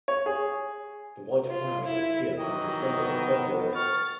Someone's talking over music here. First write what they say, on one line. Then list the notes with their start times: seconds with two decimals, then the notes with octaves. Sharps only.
The white flowers appear from December to February.
0.08 C#5
0.26 G#4
1.49 F4
1.85 E4
2.38 D#3 E3 F#3 D#5
2.81 B3
3.76 C#6 F6 A6